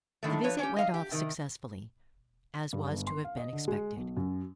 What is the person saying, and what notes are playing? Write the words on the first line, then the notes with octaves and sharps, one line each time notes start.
The visit went off successfully, as was to have been expected.
A2 D3 D#3 A3
F3 B4 C#5
C#4 G4
D#5 F5
G4
C3 D#3
G2
G1
C6
F5
D#5
D3
G#3
B1
F#2